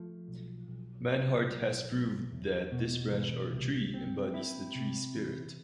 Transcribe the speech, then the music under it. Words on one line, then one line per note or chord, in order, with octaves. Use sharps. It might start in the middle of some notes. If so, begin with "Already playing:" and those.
Mannhardt has proved that this branch or tree embodies the tree-spirit.
Already playing: F3 A3
B1
B1
B1
B1
B1
E2
B2
E3
C2
C4
E4
C3
E3